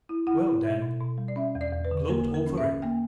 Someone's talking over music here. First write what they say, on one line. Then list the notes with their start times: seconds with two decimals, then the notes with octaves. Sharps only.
Well then, gloat over it!
0.09 E4
0.27 E4 F#5
0.46 E4
0.63 B2 E5
0.82 B2
1.00 B2
1.18 G3
1.28 D5
1.36 C#4 E5
1.55 E2
1.61 D5
1.72 E2
1.85 B4
1.91 D3
2.09 A#3 A#4
2.28 D3
2.34 A#4
2.46 C#4
2.58 E5
2.64 C#4
2.82 A#3 G5